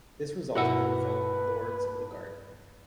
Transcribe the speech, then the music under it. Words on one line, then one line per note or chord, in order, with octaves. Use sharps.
This resulted in the film "Lords of the Garden".
B1 G2 E4 F#4 A#4 B4 F#5 E6